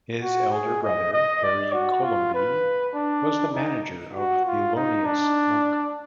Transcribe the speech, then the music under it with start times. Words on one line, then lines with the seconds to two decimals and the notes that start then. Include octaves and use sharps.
His elder brother, Harry Colomby was the manager of Thelonious Monk.
0.23 F#4
0.52 G#4
0.83 D#5
1.13 D#5
1.44 D5
1.73 F#4
2.03 F4
2.34 B4
2.94 D4
3.54 D#4
4.14 F#4
4.46 F4
4.75 D#4
5.06 D4